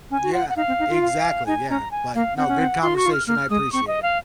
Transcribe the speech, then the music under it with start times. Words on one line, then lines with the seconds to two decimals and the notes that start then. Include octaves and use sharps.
Yeah, exactly, yeah, but no, good conversation, I appreciate it.
0.11 C#4 G#5
0.23 F#4
0.33 F4 F#5
0.49 F#5
0.56 D#4 F5
0.68 C4
0.79 D#4
0.90 F4
1.02 F5
1.46 D#4 G#5
1.70 C#4 A#5
1.91 G#5
2.15 A#3 F5
2.37 C4 F#5
2.48 C#4
2.59 C4
2.81 F4 C6
2.95 F#4 C#6
3.06 F4
3.13 F6
3.27 A#3 F6
3.50 G#3 D#6
3.72 C4 C#6
3.87 D#5
4.02 F5